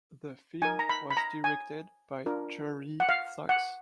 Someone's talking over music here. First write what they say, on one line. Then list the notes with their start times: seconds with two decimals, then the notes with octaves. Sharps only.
The film was directed by Jerry Zaks.
0.62 D#4 A#4 G#5
0.79 A#5
0.89 B5
1.10 B5
1.17 A#5
1.44 G#5
2.26 D4 F4 A#4
3.00 F#5
3.09 F5
3.49 F#5